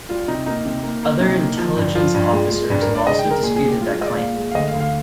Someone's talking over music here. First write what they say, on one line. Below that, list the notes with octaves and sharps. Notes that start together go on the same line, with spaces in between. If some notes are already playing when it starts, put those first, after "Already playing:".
Other intelligence officers have also disputed that claim.
G3 F4
C3 D#4
A#3 D#4
C3
A#3
A#3
C3 D#4
A#3
F3
G2
F3 F4
G2
G#3
G#3
G2
A#4
G2
D5
G#3 D#5
G5
G#3
A#4
A#2 G#4
G#4
G#3
G4
G#3 F4
F4
G#3 D#5
D5
A#2 F5
G#3
F5
D2 D#5
F5
D2
F5